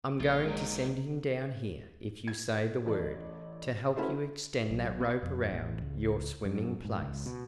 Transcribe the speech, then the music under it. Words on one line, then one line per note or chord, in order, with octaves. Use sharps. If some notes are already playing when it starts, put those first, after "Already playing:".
I'm going to send him down here, if you say the word, to help you extend that rope around your swimming place.
A#1 F4
F2 D#3 F#3 G#3 D#4
G#6
A1 A4 D5
C#4 E4 F#4 A4 B4 C5
B1
B3
F2
A1
C#2
F#2
G#2
C#2
B2